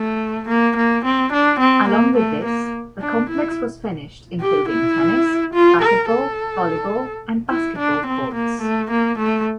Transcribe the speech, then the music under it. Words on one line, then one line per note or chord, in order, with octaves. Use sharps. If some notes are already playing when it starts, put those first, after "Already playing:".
Along with this, the complex was finished including tennis, racquetball, volleyball, and basketball courts.
Already playing: A3
A#3
A#3
C4
D4
C4
A#3
A3
A#3
D4
E4
G4
E4
F4
A#4
A4
E4
D4
C4
A#3
A3
A#3
A3